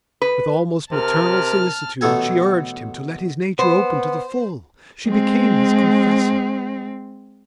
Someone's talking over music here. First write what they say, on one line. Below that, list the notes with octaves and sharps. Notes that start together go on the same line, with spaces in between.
With almost maternal solicitude she urged him to let his nature open to the full: she became his confessor.
B4
C3 A#4 A5 F6
A1 B2 A3 B3 A4 G#5
B3 C5
G#3 C4